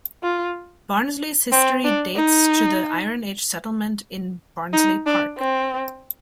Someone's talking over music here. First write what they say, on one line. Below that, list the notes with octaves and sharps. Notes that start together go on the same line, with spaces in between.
Barnsley's history dates to the Iron Age settlement in Barnsley Park.
F4
C4
D4
D#4
D#4
D4
C4